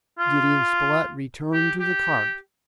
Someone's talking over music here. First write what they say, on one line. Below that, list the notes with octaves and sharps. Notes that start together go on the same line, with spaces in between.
Gideon Spilett returned to the cart.
F4
G4
G4